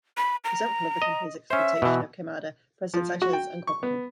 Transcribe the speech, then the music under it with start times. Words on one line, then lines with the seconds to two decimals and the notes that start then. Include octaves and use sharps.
Resentful of the company's exploitation of Queimada, President Sanchez is uncooperative.
0.17 B5
0.44 A#5
1.02 D#5
1.50 C#4 C5 E5
1.82 B2 E3
2.94 F3
3.22 F#4
3.33 G5
3.67 C#6
3.83 B3